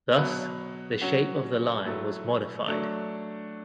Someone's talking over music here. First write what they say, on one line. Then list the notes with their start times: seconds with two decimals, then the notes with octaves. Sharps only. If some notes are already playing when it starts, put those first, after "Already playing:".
Thus the shape of the lion was modified.
0.18 B2 F#3 B3
1.01 F#3 C#4 F#4
1.84 A2 F#3 A3
2.68 F#3 A3 D4